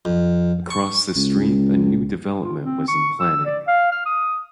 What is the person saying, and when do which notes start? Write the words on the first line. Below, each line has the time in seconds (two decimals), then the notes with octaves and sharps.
Across the street a new development was in planning.
0.05 F2
0.70 C#6
1.16 C#2
2.43 F4
2.62 C4
2.88 C#6
3.20 E6
3.46 D5
3.68 F5
3.92 F6
4.06 D#6